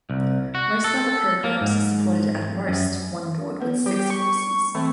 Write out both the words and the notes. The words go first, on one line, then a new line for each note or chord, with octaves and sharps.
Most other programs supported at most one board with six voices.
C2
F#4
A4
A#3
G#2
F#2
B3 B4
G3 G4
C#6
E3 A3 C4